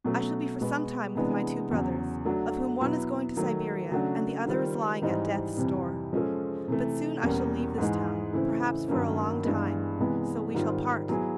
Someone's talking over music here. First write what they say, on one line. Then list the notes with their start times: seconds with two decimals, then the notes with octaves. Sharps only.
I shall be for some time with my two brothers, of whom one is going to Siberia and the other is lying at death's door. But soon I shall leave this town, perhaps for a long time, so we shall part.
0.04 B2 F#3 A3 C#4
0.61 B2 G#3 B3
1.15 C3 E3 G#3 B3 D4
1.71 E2 C#3 F#3
2.25 F#3 A3 D4 F#4
2.81 B2 F#3 B3 E4
3.36 D#3 F#3 A3
3.91 C#3 F#3 A3 D4 F#4
4.46 D#3 G3 C4 F4
5.02 G#2 E3 G3 C4 D#4
5.57 F2 C3 E3 G3
6.13 F3 G#3 C#4 F4 A4
6.68 C3 E3 A3
7.22 E2 B2 G3 A#3 C#4
7.78 G#2 E3 G#3
8.33 C#3 E3 A3 C4 E4
8.88 G2 D#3 F#3 A#3 C#4
9.44 G2 E3 G#3 B3
9.98 C3 E3 G#3 B3
10.54 G#2 D#3 G3 C4 F4
11.09 F#3 B3 E4 G#4